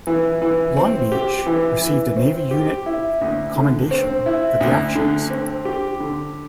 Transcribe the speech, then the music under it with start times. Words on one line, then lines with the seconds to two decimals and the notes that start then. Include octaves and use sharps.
"Long Beach" received a Navy Unit Commendation for the actions.
0.07 E3
0.42 E3
0.77 C4
1.12 G4
1.46 E3
1.81 E3
2.16 C4
2.51 G4
2.86 E4
3.21 D2
3.56 D3
3.91 C4
4.26 E4
4.60 D2
4.95 D3
5.30 C4
5.65 G4
6.00 D3